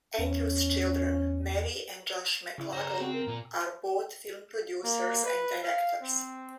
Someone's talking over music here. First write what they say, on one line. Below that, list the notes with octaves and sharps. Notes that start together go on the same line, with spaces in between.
Andrew's children, Mary and Josh McLaglen, are both film producers and directors.
E2 C#4
C#3 E4
C5 C#5 A#5
C4 F#4
A#4
A#2
A#3
B4
F5
C4